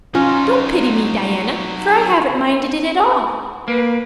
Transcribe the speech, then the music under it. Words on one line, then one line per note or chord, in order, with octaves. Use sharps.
Don't pity me, Diana, for I haven't minded it at all.
F#3 C#4 D#4 F4
A#3 B4